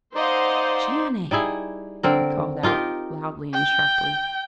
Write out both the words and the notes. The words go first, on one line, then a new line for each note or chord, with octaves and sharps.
"Channing!" he called out, loudly and sharply.
D#4 C5 D5 D#5 F5 F#5
G3 D#4 E4 G#4
D3 C4 A#4
D#4 F4 G4 A#4
G5